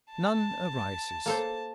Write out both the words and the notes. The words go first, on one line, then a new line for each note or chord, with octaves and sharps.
None arises.
A5
A#3 A4 C5